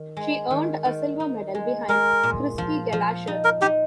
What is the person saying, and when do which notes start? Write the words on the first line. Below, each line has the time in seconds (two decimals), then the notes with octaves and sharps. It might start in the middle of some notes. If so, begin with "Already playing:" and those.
She earned a silver medal behind Kirsty Gallacher.
Already playing: D#3
0.17 G#3
0.50 D#3
0.85 D#3
1.20 D#4
1.55 G#3
1.89 G#3 A#4
2.23 A#2
2.58 F3
2.93 F3
3.27 D#4
3.44 A#4
3.62 D#4 G4